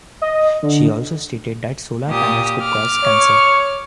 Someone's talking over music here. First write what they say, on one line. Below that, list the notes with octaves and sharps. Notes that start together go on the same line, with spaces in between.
She also stated that solar panels could cause cancer.
D#5
D3
A#2 G4 D#6
D6 F6
C#5